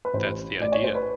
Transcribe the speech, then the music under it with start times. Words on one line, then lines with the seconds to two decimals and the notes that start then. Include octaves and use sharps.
That's the idea.
0.05 B4
0.14 A1 C5
0.60 A2 D5
0.72 C#5
0.84 C5
0.95 B4